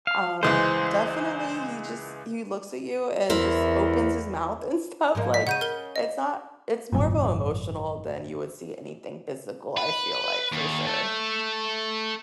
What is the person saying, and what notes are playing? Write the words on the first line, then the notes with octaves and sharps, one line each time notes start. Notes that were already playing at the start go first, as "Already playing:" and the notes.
um definitely, he just he looks at you and just opens his mouth and stuff, like, it's not it's more of a emotional than you would see anything physical, I feel like, for sure.
F5
C#2 E3 G#3 C5
E2 E4 A#4 C5
G#2 F3 A#3
D#5 B6
C#3 F#5 G6 D#7
A#4 G7
D#5
G#1 F#2 A#2
B4
D#2
A3 A4